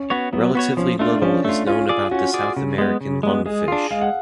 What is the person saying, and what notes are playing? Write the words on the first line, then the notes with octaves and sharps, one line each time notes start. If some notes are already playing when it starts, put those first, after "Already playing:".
Relatively little is known about the South American lungfish.
Already playing: C#4
B3 F#4 C#5
F#3 B3
B3 F#4 C#5
F3 C#4
A3 D4 F4
F3 C#4
A3 F4
C#4 F4
G#4 D5
C#4 F#4
G#4 D5
C#3
G#3 B3
C#3
G#3 B3
G#3 G#4
D4 F4
G#3 F5
F#5